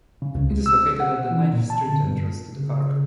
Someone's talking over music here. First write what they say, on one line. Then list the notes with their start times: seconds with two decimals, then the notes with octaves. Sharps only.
It is located at the Ninth Street entrance to the park.
0.22 C#3
0.35 C#2
0.51 G#3
0.66 E6
1.00 F#5
1.31 E3
1.53 A#2
1.70 A5
1.88 D3
2.03 G2
2.54 C#3